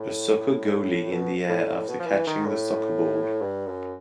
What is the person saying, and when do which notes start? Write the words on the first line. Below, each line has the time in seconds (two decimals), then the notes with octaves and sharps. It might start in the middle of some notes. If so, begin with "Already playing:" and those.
A soccer goalie in the air after catching the soccer ball.
Already playing: A2
1.12 B2
1.50 A2
1.69 A2
1.88 B2
2.00 F3
2.07 E3
2.27 D#3
2.46 A2
3.42 G2
3.67 F#2